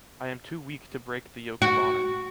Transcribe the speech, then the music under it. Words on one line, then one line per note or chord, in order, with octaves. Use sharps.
I am too weak to break the yoke of honor.
F#4